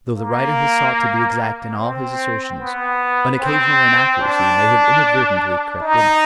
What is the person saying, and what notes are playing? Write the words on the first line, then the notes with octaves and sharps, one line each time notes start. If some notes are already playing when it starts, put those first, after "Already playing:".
Though the writer has sought to be exact in all his assertions, an occasional inaccuracy may have inadvertently crept in.
A#3
C4
B3
C4
D4
D#4